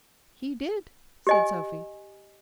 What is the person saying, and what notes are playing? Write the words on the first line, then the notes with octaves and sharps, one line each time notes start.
"He did," said Sophy.
G4 D#5 G#5